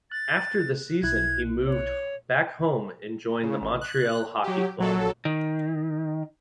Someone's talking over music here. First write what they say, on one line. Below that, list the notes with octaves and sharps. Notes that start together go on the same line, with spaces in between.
After the season, he moved back home and joined the Montreal Hockey Club.
F#6 A6
B1 E4 F#6 G#6
C#5
C#3
A1
F#6
F#3 G4
A#1 F#3 A4
D#3